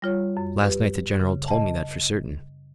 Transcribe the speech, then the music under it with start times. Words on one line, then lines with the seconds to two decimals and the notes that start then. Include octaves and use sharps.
Last night the General told me that for certain.
0.02 G3 F4 C#5
0.37 F#2
0.63 G4 B4
1.20 C#3
1.48 D#5 A5